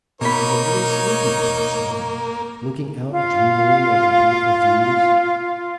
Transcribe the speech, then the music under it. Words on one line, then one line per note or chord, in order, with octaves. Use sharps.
It was a little sleepy place now, looking out dreamily over beautiful views.
B2 A#3 D#4 A#4 C#5 B5
F4 F5